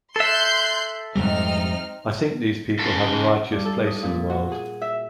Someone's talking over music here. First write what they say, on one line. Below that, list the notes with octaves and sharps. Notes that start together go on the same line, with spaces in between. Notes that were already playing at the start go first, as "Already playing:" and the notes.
I think these people have a righteous place in the world.
A4 E5 C6 F#6 G6
F2 G#2 G3 C4 D#4 F6
C#3 A4
G2
A4
D#6
A#2
F#4
G#4
E5